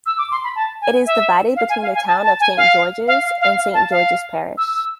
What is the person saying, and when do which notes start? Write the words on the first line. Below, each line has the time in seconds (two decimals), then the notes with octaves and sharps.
It is divided between the town of Saint George's and Saint George's Parish.
0.06 E6
0.18 D6
0.31 C6
0.44 B5
0.56 A5
0.82 G#5
1.06 E5
1.56 F5
1.70 G#5
1.82 F5
1.95 G#5
2.07 A5
2.24 A5
2.40 G#5
2.57 F5
3.07 F5
3.25 F5
3.41 F5
3.57 F5
3.74 A5
3.91 F5
4.58 E6
4.75 E6